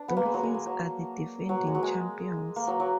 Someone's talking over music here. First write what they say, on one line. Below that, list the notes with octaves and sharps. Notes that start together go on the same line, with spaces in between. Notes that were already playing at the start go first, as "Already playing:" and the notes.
Dolphins are the defending champions.
Already playing: D4
B3
A#3
G#3
F#3
G#3
A#3
F#3
F#3
G#3
F#3
G#3
A#3
F#3
F#3